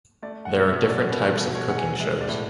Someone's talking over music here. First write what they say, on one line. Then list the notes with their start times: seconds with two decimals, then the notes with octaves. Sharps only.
There are different types of cooking shows.
0.22 A3 D5
0.45 F#5
0.52 B2
0.67 E5
0.82 B2 C#5
0.89 D5
1.11 B2 B4
1.33 A4
1.40 B2
1.55 C#5
1.69 B2 F#5
1.78 G#5
2.00 G#3 E5
2.21 D5
2.29 A2